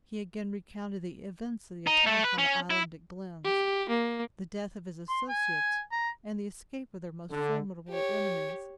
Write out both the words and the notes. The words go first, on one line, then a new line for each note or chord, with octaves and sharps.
He again recounted the events of the attack on the island at Glenn's, the death of his associates and the escape of their most formidable enemies.
D#4
A3
B4
C#4
E4
G4
A#3
C6
G#5
A#5
D3
G4 C#5